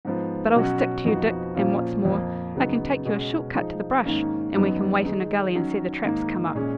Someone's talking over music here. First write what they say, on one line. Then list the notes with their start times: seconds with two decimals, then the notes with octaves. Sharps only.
But I'll stick to you, Dick, and, what's more, I can take you a short cut to the brush, and we can wait in a gully and see the traps come up.
0.05 G#2 F3 B3
0.55 B2 F#3 C#4 F#4
1.05 F2 F3 B3 D#4 F#4
1.55 A#2 F3 A#3 C#4 F4
2.05 F2 F3 A#3
2.55 C#3 F#3 B3 D#4
3.05 B2 G#3 C#4
3.55 F3 G#3 D#4
4.04 G#2 D#3 A#3 C#4
4.55 F#2 D#3 F#3 B3 D#4
5.05 D#3 G#3 D#4
5.55 D#3 F#3 C#4
6.04 G#2 D#3 A#3 D#4
6.55 A#2 G#3 C#4